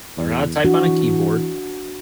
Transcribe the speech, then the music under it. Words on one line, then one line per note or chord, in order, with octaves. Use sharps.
learn how to type on a keyboard,
E2
E3 D4 F#4